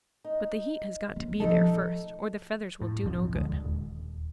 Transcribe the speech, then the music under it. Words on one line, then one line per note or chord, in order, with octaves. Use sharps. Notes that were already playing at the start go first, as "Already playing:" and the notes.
But the heat has got to be there first, or the feathers will do no good.
D#4
A#3 C#4
C3 F3 A3 D#4 A4
A2
G1 C2 F2 F3
D2 D3 G#3
D#1